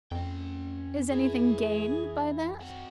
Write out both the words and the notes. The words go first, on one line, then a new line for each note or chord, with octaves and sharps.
"Is anything gained by that?"
F2 C#4 G5
E3 E4 G#4
C4 F#4